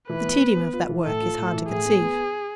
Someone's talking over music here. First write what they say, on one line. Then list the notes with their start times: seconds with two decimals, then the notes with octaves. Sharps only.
The tedium of that work is hard to conceive.
0.09 E3 B4
0.25 B3
0.40 B3
0.57 B3
0.73 F4
0.89 E3
1.05 A2 A4
1.21 F4
1.37 A2
1.53 E3
1.69 A2 G#4
1.85 B3
2.01 B3